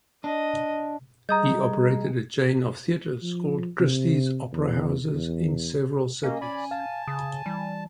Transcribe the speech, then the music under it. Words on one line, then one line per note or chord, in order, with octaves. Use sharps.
He operated a chain of theaters called Christy's Opera Houses in several cities.
D4 D#5
G3 G#4 D#5 A#5 D#6 G6
F3
C3
E2
E2
A#3 C#4 D#5
D5 G#5 B5
F5 A5
C#3 D#6
E3 G3